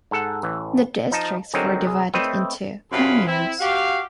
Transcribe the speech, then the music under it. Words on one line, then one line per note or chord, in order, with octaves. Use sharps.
The districts were divided into "communes".
G#2 A4 F#5
A1 E3
F3 D#4 A5
D3 F#3 C4 D#4 G#4 A#4
C2 G#4
A3 C4 B4 C#5 D#5 E5
F#2 C3 D4 F4 G#4 B5
C4 E4
F#4 G4 F5